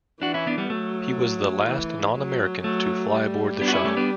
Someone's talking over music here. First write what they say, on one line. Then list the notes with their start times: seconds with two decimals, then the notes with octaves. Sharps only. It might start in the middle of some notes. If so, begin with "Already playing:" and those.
He was the last non-American to fly aboard the shuttle.
0.22 E3 D4 F#4
0.34 C#4 E4
0.47 B3 D4
0.58 G3 B3
0.70 F#3 A3
1.68 E3
2.16 F#3
2.64 F#3 A3
3.12 G3
3.61 B3 D4
3.68 F#4
3.73 C#4 E4
3.85 A3 C#4
3.97 B3 D4